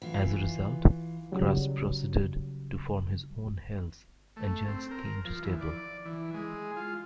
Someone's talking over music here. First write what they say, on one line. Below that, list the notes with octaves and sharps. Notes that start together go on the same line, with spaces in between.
As a result, Crush proceeded to form his own Hells Angels-themed stable.
E3 F4
C#3 F#3 G3
A3
C4
A#4
F3
E3
D5
E3
G#3
F4